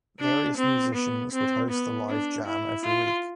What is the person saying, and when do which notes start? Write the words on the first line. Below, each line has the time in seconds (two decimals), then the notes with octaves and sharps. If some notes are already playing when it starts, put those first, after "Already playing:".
Various musicians would host the live jam every week.
0.20 D4
0.58 C4
0.95 B3
1.33 C4
1.71 B3
2.09 D4
2.46 E4
2.84 F4